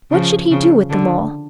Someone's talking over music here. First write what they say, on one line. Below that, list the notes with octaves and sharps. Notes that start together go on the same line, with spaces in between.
What should he do with them all?
C#3 F3
C#3 F3
D3